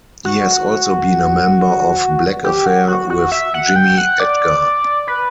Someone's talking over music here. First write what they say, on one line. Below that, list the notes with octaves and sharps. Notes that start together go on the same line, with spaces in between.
He has also been a member of Black Affair with Jimmy Edgar.
F#4
G4
F#4
F#4
F#4
E5
F#5
G5
F#5
D5
B4